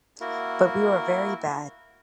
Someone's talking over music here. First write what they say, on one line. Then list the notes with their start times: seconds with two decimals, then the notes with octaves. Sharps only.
But we were very bad.
0.21 A#3 E4 F#4 A#4